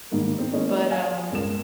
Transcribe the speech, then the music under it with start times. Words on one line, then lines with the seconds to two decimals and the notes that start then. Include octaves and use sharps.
But, um
0.11 G#2 D#3 G3 A#3
0.39 C4 D#4
0.52 E3 G#3 A#3 C#4 C#5 D#5
0.90 F5 G#5
1.32 G1 C#2 A#4 E7